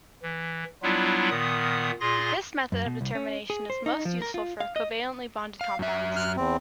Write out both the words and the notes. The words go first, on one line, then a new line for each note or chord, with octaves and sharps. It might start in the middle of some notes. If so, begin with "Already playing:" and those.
This method of determination is most useful for covalently bonded compounds.
E3
F#3 G3 B3 D4 E4 F4
A#2 D#3 B3 D#6
A#2 F4 G#4 C6 A#6
F#2
B2
C2
C#4
G#4
C5
D#4
F3
A#4
F4
F5
D#5
F5
F#2 E5
F6 F#6
E2 C4